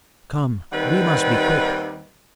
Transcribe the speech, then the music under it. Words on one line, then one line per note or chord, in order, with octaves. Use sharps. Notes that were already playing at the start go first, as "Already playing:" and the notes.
Come, we must be quick!
D#2 D#3 G3 C4 B4 F#5